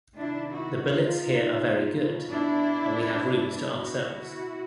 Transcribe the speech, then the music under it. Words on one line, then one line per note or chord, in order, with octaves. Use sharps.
The billets here are very good and we have rooms to ourselves.
C3 D#3 D4 E4
E4 F#4
D#4 F4
B2
D4 E4
B2
E4 F#4